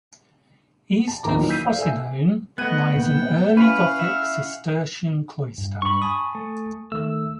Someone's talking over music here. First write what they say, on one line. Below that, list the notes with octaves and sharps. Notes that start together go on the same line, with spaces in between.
East of Frosinone lies an early gothic Cistercian cloister.
A5
A#1 D#2 A#2 D#3 A#5 D6
A#2 E3 F#3 C#4 D#4 E4
E6 G6 B6 C7 D#7
C5 D5 F5
A4 E5 G#5 E6
A3 B3 D#5 F#5 G#6 D#7
A#2 D3 A#3 G5
C#4 E4 B4 F5 F#5
E5
G2
G2 B5 C#6
G#5 A5 D#6
A3
D#3 A3 E6